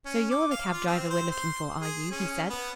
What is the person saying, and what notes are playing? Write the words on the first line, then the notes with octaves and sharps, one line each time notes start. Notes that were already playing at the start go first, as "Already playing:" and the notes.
"So you're the cab-driver we're looking for, are you?" he said.
C#4
D6
F5
F4
C4
C5
C6
G#4
C#4
B3